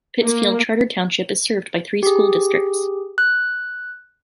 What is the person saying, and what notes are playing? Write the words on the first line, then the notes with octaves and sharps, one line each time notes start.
Pittsfield Charter Township is served by three school districts.
A#3
G4 G#4
F#6